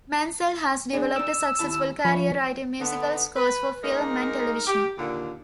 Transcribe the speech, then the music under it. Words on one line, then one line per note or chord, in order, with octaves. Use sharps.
Mancell has developed a successful career writing musical scores for film and television.
D4 G#4
D#4 D5 E6
D#2 E4 A5
F3 C#5 E5 B5
D3 B3
B4
G#3 A#3 D#4 A#4
G4
D#2 A#2 D3